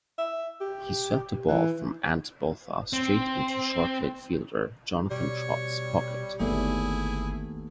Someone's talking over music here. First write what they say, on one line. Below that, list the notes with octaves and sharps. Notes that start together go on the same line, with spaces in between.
He swept a ball from Ant Botha straight into short-leg fielder Jonathan Trott's pocket.
E5
G4
E3
C4
B2 G3 C#5
G1 D#2 A3 B3 E4 G#4